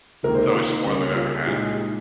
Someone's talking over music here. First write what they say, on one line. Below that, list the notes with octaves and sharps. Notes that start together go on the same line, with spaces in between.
so it's more than we've ever had,
C#2 C3 D#3 A#3 A#4
C5
A#4
F4
D#4
C#3 G3 A#3 C#4
C#4
F4
G#4
G4
A#2 G#3 D#4 G4
G#4
D#4